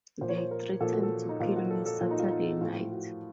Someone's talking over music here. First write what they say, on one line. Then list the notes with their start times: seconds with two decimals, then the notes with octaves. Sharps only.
They threatened to kill me Saturday night.
0.21 A#2 F3 C5
0.29 C#5
0.38 C5
0.51 A#4
0.81 A#2 F3 A4
0.92 F#4
1.03 A4
1.29 D#4
1.40 A#2 F3 F4
1.56 F#4
1.70 A4
1.86 A4
2.01 A#2 F3 F4
2.11 D#4
2.19 F4
2.31 D#4
2.61 A2 F3 F4
2.91 F#4